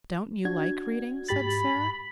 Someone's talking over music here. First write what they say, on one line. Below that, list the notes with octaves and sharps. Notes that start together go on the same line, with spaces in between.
"Don't you like reading?" said Sara.
D4 F#4 G#6
G#2 G4 B5 A6